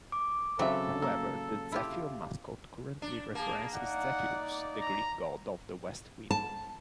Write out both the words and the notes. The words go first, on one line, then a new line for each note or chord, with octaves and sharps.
However, the Zephyr mascot currently references Zephyrus, the Greek god of the west wind.
D6
C#3 F#3 C4 A4 E5
A#3 E6
E4 F4 G4
D4
A#3 G#4 A5
D#4 D5 F#5
A#5
A5